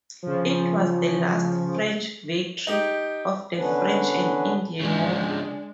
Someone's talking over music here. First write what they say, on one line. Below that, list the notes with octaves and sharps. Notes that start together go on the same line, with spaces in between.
It was the last French victory of the French and Indian War.
C#3 F3
D#4 G4
D3 B3 C#4 D4 B4
C#3 F3 G#3 D4